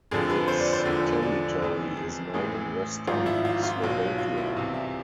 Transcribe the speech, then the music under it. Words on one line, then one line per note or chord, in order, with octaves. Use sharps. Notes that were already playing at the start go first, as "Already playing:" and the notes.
Its territory is now in western Slovakia.
F1 F2 D3 F3 G#4
B4
C5
D5
C5
E1 E2 D3 F3
D5
F1 F2 E3
G#4
A1 A2 E3 G#4
G#1 G#2 F3 F4
E4
F4
F4
B1 B2
F4
E4
C2 C3 E3 F4
E5